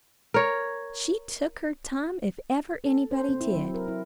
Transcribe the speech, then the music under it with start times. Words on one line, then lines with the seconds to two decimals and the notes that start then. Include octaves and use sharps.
She took her time if ever anybody did.
0.34 A#4 C#5
2.84 A4
3.11 C5
3.29 C4
3.41 E4
3.55 F#3
3.74 A#4
3.88 E4